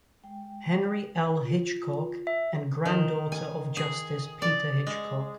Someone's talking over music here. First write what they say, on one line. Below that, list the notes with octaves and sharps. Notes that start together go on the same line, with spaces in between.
Henry L. Hitchcock and granddaughter of Justice Peter Hitchcock.
G#3 G5
F4
E5
D#3
G#5
G#4
D5
G#3